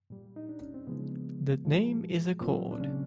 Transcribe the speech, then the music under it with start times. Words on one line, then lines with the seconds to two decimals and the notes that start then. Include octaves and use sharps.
The name is a cord.
0.10 A#2 G3
0.36 D#4
0.49 D4
0.61 C#4
0.74 C4
0.87 C#3 F3 G#3 B3
1.64 A#2 F3 G#3
2.41 A#2 F#3 C4
2.71 D4
2.80 C#3 C#4